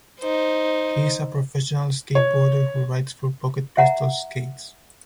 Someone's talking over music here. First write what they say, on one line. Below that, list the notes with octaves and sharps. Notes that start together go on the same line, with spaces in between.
He is a professional skateboarder who rides for Pocket Pistols Skates.
D#4 C5
C#5
E5 F#5 A#5